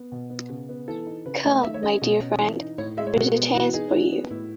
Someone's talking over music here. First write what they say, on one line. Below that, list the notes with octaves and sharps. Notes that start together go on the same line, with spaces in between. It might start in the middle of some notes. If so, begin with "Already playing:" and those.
Come, my dear friend, there's a chance for you.
Already playing: B3
B2
B3
C#3
B3
E3 A4
D#4
C#3 B4
A3 D#5
D#3 E5
C#5
C#4 D#5
B2
C#4
E3
D#4
A2 C#5
G#3 E5
C#5
B2 F#4
B3
E3 F#4
D#4 G#4
E3 F#4
B3
A2 E4